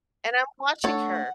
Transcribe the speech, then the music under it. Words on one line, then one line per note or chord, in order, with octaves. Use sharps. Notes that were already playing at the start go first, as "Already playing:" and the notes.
And I'm watching her
A3 C4 D4 A4 C#5 F#5